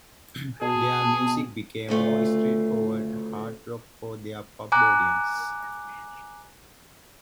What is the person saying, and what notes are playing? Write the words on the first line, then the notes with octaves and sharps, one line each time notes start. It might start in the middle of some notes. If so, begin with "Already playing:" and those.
Their music became more straightforward hard rock for their pub audiences.
B2 G#4 A5
D2 C#3 A3 F4
G#5 A#5 D6 F#6